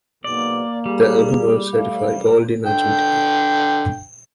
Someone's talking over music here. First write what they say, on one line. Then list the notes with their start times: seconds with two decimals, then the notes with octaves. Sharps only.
The album was certified Gold in Argentina.
0.24 B1 G#2 B2 A#3 D5
0.86 G3 G#4
1.73 A3 F5
2.67 D3 G5